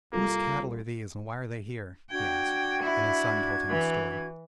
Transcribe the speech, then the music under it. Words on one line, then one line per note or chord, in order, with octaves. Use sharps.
'Whose cattle are these, and why are they here?' he asked; and his son told him the story.
C2 A#3 F4 A4
D4 F#4 G5 G#6
E4
E3